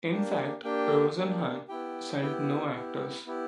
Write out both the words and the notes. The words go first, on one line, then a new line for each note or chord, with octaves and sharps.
In fact, Rosenhan sent no actors.
A#3 D4 G4
A#3 D4 G4 G5
A#3 D4 G4
B3 E4 G4 G5
B3 E4 G4
B3 E4 G4
B3 E4 G4